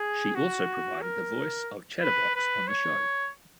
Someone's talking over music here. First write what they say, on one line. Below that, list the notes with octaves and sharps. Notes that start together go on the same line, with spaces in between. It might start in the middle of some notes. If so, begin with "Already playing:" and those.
She also provided the voice of Chatterbox on the show.
Already playing: G#4
F#4
A#4
B4
B4
C#5